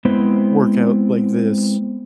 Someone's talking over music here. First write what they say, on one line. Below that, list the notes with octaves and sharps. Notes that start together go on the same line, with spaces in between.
work out like this,
G#3 B3 C4 E4 C5